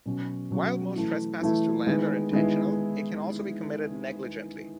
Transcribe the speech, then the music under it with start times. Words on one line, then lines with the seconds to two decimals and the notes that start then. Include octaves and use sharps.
While most trespasses to land are intentional, it can also be committed negligently.
0.06 B2 F#3 C#4 F#4
0.51 B2 F#3 C#4 F#4
0.96 E3 A3 E4
1.42 E3 A3 E4
1.86 D#3 G#3 B3 E4
2.32 D#3 G#3 B3 E4